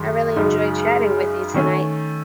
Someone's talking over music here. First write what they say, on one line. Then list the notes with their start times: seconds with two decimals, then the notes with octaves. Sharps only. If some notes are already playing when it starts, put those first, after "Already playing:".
I really enjoyed chatting with you tonight.
Already playing: F#2 D#3 G#3
0.36 F#2 C#3 G#3 D#4
1.54 D#3 A3 C#4